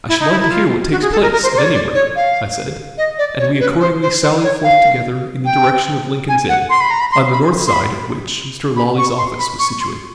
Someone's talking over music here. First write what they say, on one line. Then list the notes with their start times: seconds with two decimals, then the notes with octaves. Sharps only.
"I should like to hear what takes place, at any rate," I said, and we accordingly sallied forth together in the direction of Lincoln's Inn, on the north side of which Mr. Lawley's office was situated.
0.09 E4
0.20 D#4
0.30 E4
0.40 E4
0.50 F4
0.91 F#4
1.02 G#4
1.12 A4
1.22 A#4
1.32 A#4
1.43 C5
1.54 C5
1.58 D5
1.64 C#5
1.74 D5
1.94 C#5
2.16 F5
2.98 D#5
3.18 D5
3.39 C#5
3.60 B4
3.80 C5
4.02 C5
4.22 C5
4.43 C#5
4.64 F5
5.46 G5
6.29 G#5
6.49 F#5
6.70 C6
6.81 B5
6.90 A#5
7.00 B5
7.12 C6
7.32 B5
7.67 C6
7.73 B5
8.76 B5
8.98 C#6
9.18 C6
9.39 B5
9.59 C#6
9.80 C6